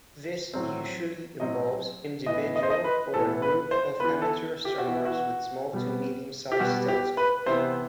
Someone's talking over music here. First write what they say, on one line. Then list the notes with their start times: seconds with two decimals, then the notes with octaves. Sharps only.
This usually involves individual or a groups of amateur astronomers with small-to-medium-sized telescopes.
0.54 A2 F#3 C4
1.40 A2 F#3 C4 D#5
2.26 A2 E3 B3 D#5
2.56 D#5
2.63 C5
2.70 D#5
2.84 B4
3.13 A2 E3 B3 A4
3.42 B4
3.71 C5
4.00 B3 B4
4.04 E3
4.22 A4
4.65 G4
4.78 F#4
4.87 E3 B3
4.92 E4
5.05 F#4
5.73 B2 G3 B3
6.52 G4
6.60 B2 G3 B3 F#4
6.88 G4
7.17 B4
7.46 C3 E3 B3 C5